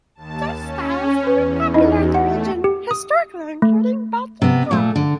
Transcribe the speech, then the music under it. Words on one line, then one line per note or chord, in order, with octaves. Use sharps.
Such styles have been popular in the region, historically including Baltic porter.
D#2 A5
C#4
E2 B4
D#4 E4 D#5
A3 F#5
G4
D#6
A3
C3 B3
A#2 A3
D3